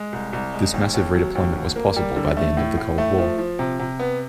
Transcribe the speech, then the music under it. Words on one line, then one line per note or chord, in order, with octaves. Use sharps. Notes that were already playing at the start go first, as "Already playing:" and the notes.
This massive redeployment was possible by the end of the Cold War.
Already playing: G#3
C2
C2
G#3
D#2
D#2
F#3
D#2
D2
A#3
G3
D3
A3
A2
A2
A3
F3
F3
C3
C3
B3